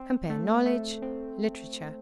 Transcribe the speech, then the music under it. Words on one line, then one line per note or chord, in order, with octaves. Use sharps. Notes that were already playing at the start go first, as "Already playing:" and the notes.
Compare KNOWLEDGE; LITERATURE.
Already playing: C4
A3
A3
C4